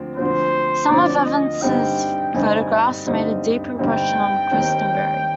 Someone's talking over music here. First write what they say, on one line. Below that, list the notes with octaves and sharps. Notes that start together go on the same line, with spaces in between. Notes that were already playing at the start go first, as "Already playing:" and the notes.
Some of Evans's photographs made a deep impression on Christenberry.
Already playing: D2 D3 F3 C4
D2 D3 F3 C4 C5
D2 D3 F3 C4 D5
D#5
G2 D3 G3 C4 D#4 G5
G2 D3 G3 C4 D#4 G#5
G2 D3 G3 C4 D#4
G2 D3 G3 C4 D#4 G5
D#2 D#3 G3 C4 D#4